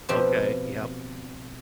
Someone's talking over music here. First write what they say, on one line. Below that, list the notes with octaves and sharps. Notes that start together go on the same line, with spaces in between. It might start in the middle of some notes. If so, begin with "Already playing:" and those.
Okay, yep.
B2 F3 C4 F4 G4